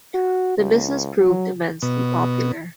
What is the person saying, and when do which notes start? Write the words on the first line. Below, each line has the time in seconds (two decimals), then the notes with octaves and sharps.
The business proved immensely popular.
0.14 F#4
0.58 C#2
1.19 F#3
1.82 B2